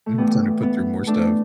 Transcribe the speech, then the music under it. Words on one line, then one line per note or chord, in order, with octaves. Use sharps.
Mhm. Time to put through more stuff.
A3
A2 E3 G3 B3
B3
A3 D4